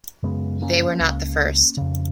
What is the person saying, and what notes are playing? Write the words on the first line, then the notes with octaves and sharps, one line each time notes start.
They were not the first.
F#2 C#3 G#3 B3
A#3 C#4
C#2 C#3
F2 C#3